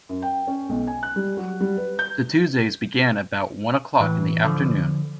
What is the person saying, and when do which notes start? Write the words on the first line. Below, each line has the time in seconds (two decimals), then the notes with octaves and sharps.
The Tuesdays began about one o'clock in the afternoon.
0.09 F#2
0.22 G5
0.47 C#4
0.69 B1
0.87 G#5
1.03 F#6
1.16 G3
1.37 F#3
1.60 G3
1.77 B4
1.99 G6
4.00 A2 E3
4.44 D3 F3